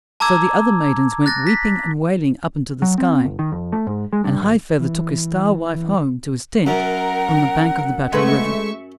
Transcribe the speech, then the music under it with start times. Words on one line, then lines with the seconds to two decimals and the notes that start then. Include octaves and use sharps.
So the other maidens went weeping and wailing up into the sky, and High-feather took his Star-wife home to his tent on the bank of the Battle River.
0.20 A5 A#5 D6 E6 G#6
1.26 F#6 A6 A#6
1.47 B6
2.82 F#3
2.98 C4
3.24 G1
3.39 D#3
3.52 F2
3.73 A3
3.87 G#2
4.13 G#3
4.24 G2
4.41 G#1
4.79 E3
6.67 F#2 A#4 F#5
8.13 G#3 A3 B4 E5 C#6